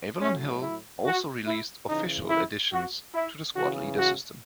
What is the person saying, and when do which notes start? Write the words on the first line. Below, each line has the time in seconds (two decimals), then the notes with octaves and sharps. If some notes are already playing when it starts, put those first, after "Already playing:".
Avalon Hill also released "official" additions to the Squad Leader system.
0.21 A2 F#3 C#4
0.62 E4
1.05 F#4
1.46 E4
1.88 C#3 E3 D#4
2.30 E4
2.72 F#4
3.14 E4
3.55 C#3 E3 F#4
3.98 F#4